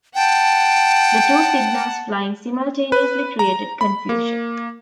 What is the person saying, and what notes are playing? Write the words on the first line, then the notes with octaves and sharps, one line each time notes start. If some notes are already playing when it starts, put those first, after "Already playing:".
The two signals flying simultaneously created confusion.
F#5 G5 A5
B4
A#5
B5
A#3